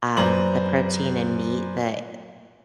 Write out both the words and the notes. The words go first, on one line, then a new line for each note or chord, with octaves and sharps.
um, the protein in meat, the,
F#2 B4 C5 D5 A#5 F#7